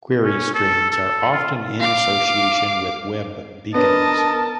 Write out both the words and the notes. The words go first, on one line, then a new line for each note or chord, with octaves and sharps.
Query strings are often used in association with web beacons.
C#4
A4
A4
F4
F5 D6
B3 D4 A#4 C#5 D#5 A5